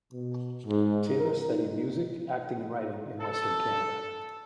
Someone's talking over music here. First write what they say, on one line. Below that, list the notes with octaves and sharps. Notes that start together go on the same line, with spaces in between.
Taylor studied music, acting and writing in western Canada.
B2
G#2
A#4
D#4
A4